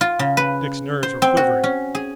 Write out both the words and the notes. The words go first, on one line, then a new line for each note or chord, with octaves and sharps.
Dick's nerves were quivering.
F4
C#3
B4
C5
C4
F#4
C#4
G#4